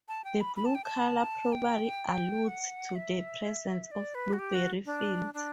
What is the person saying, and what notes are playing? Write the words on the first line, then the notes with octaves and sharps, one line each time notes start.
The blue color probably alludes to the presence of blueberry fields.
A5
G5
B5
B5
A5
G5
A5
G5
F#5
E5
D5
B4
F#4
G4
F#4
D4
D4